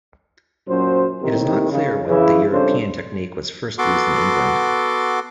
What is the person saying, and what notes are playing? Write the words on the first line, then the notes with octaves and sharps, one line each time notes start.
It is not clear when the European technique was first used in England.
F#2 A#2 F#3 C#4 C5
D#2 A2 C3 D#3
C#3
C#3 E3 E4
F2 C#3 G3 D4 A4 C5
B3 F#4 A4 C6 D6